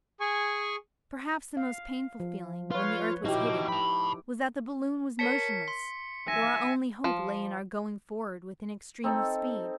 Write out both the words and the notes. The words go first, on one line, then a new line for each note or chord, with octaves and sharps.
Perhaps the most painful feeling when the earth was hidden was that the balloon was motionless, though our only hope lay in our going forward with an extreme of speed.
G#4 G#5 C#6
F5
F3
F4 B4 C#5
D#4 E4 F#4 G4 D#5
A5 B5
A#4 C#5 A5 B6 C#7
C6
E5 G#5 A#6
F3
C4 D#4 A4